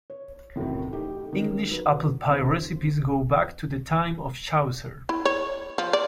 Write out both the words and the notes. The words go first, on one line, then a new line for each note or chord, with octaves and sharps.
English apple pie recipes go back to the time of Chaucer.
C#5
F#2 A2 C3 D#3 E3 F#3
A3 D#4 G4
D#3 C#4
F#3 B4
D#2 C#3 C5
E4
C#5
F3
D5